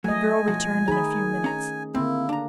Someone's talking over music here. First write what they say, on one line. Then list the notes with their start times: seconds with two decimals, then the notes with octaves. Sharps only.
The girl returned in a few minutes.
0.04 F#3 A3 D#5 G#5
0.48 B1 F3 F#4
0.88 D#3 D#4 G#4 A#5 B5
1.44 C#4 A#5
1.95 D3 A#3 C4 E4
2.29 D4 A#5